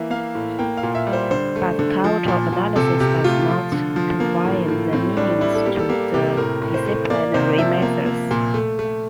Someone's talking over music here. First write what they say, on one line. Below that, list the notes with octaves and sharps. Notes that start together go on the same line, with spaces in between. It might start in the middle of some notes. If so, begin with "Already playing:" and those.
But cultural analysis does not confine the meanings to the disciplinary methods.
Already playing: E3 A#3 E5
A#3 F5
A2
A#3 G5
F5
A#2
E5
G3
C5
D3 C5
A3
D3
F3
A#2
A#2
C3 A4
C3 G4
A3 F4
F3
D3
F3
A#3
A2
A2
A2 C4
C4
G3 D4
G3 E4
A4
A#3 G4
A4
A#3 G4
C3 G4
A2 A#4
A2
C5
A3
A#3 D5
C3 C5
F3 E5
A#3
A#3
A#2
A3
A3